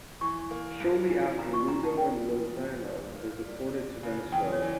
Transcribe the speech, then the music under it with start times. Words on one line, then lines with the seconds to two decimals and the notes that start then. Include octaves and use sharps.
Shortly after, Lugo and Lozano were deported to Venezuela.
0.21 E3 C#6
0.51 A#3
0.80 G2
1.09 E3
1.39 A#2 A#5
1.53 C#6
1.68 A#2 A#5
1.83 A5
1.97 G3 G5
2.27 E2
2.56 G2
2.86 G2
3.16 A#3
3.45 G3
3.74 D4
4.03 C#3
4.32 E2 G5
4.52 C#5
4.62 E3